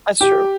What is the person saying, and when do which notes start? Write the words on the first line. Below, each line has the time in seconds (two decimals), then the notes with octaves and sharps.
that's true.
0.21 G4